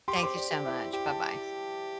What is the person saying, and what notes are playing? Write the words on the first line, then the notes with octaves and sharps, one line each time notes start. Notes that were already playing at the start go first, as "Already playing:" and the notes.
Thank you so much. Bye bye.
G4 C6
D6
C5 C6
D5
G4
E4 E5
G4 G5
A5